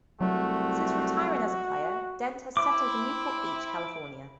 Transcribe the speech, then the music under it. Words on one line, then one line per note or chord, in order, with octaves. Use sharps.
Since retiring as a player, Dent has settled in Newport Beach, California.
C2 F#3 A3 F#4
C4 E4 D6